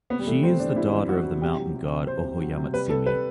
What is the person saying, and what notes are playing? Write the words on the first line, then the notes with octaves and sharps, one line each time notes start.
She is the daughter of the mountain god Ohoyamatsumi.
C3 B3
G3
E3 A3
C3 C4
E3 D4
G3 E4
E3
G3 F#4
C3
C3 G4
F#3
C3
C3
C3 C5
C3
F#3
C3
G3 B4
C3 A4
G3 B4